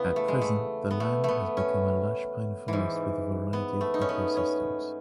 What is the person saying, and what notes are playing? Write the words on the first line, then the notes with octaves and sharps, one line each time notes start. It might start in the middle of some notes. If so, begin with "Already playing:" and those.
At present, the land has become a lush pine forest with a variety of ecosystems.
Already playing: E2 C#3 E3 B3
A3
G#3
A3
B3
A3
A3 B3
C#4
G#2 E3
B3
A3
D#4
C#4
B3
C#4